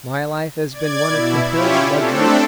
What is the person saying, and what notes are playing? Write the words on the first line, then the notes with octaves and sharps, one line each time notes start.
My life has been one of comparative luxury.
D5 G#6
B2 E4
C#4 E4 F4 G4 C#5
A3 C4 D4 A4